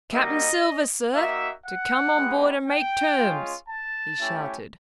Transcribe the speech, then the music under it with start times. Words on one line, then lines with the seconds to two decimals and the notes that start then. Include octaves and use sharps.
"Cap'n Silver, sir, to come on board and make terms," he shouted.
0.12 G3 A#3 D#4 F#4 D#5
1.14 A#3 D#4 F#4 E5
1.65 F#5
2.16 G#3 B3 D#4 G4
2.67 G5
3.18 G#3 C#4 F4
3.69 A5
4.20 A3 C#4 E4 G4